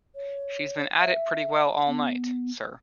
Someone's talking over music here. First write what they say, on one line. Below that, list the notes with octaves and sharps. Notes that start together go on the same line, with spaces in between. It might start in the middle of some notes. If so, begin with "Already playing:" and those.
She's been at it pretty well all night, sir.
C#5
E5
B3